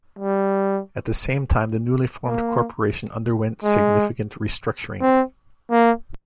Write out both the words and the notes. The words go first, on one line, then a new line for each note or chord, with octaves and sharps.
At the same time, the newly formed Corporation underwent significant restructuring.
G3
A#3
G#3
C4
A#3